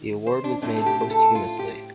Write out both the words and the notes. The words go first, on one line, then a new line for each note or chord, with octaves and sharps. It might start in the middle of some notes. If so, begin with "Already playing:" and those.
The award was made posthumously.
Already playing: D#3
C5
D4
A2 A3 C4 D4
A4
G4
G4
A4
F4
G4